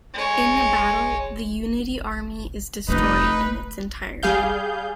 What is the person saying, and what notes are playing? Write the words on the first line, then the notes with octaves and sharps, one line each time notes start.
In the battle, the Unity Army is destroyed in its entirety.
G#3 C#5
F1 A3 D#4 B4
G3 G#4 F5 G6